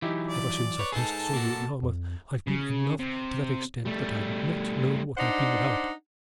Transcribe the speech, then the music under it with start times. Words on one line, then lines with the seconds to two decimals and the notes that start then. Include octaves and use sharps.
Ever since I first saw you at Yarmouth, I've been in love to that extent that I've not known what I've been about.
0.02 E3 F#3 D#4 E4 G4
0.27 D5
0.79 B4 C#5
0.92 D#4 G#4 A4 A5
1.33 A#3 F#4
1.83 F2
2.48 C#3
3.00 C3
3.85 G3 A3
5.17 D4 D#4 C5 D5 F#5